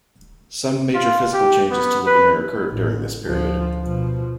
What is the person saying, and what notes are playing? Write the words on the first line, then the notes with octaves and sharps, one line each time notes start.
Some major physical changes to Ligonier occurred during this period.
F4
G4
B3
B4
A1
D2 F3
B2 F3